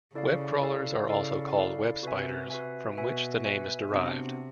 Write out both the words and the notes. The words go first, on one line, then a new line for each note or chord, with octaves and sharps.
Web crawlers are also called web spiders, from which the name is derived.
C#3 E4 A4 D5 F5
E4 A4 D5 F5
C#3 E4 A4 D5 F5
E4 A4 D5 F5
C3 F#4 B4 E5 G#5
F#4 B4 E5 G#5
B2 F#4 B4 E5 G#5
F#4 B4 E5 G#5
C3 B3 D4 F#4